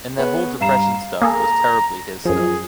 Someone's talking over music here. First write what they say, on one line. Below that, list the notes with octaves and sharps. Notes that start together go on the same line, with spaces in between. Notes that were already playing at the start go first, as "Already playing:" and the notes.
And that whole Depression stuff was terribly his stuff.
B3 G#4 C#5
G2 F5 A#5 C7 E7
A#3 G#4 A4 A#5
F#2 F3 G#4